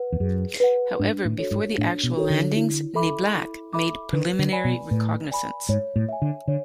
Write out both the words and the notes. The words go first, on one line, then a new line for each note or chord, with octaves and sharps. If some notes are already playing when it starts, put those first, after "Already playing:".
However, before the actual landings, "Niblack" made preliminary reconnaissance.
Already playing: B4 F#5
E2
F#2 G#4
B4 F#5
G#2 D4
A2
F#4 A4 C#5
G#2
A2 D4
B2
F#4 A4 C#5
D3
E4
A4 E5 B5 D6
E4
A4 E5 B5 D6
D3 B4
D3
D5 G#5 B5
B2
A2 B4
D5 G#5 B5
G#2 C#5
A2
E5 G#5
D3
D3 C#5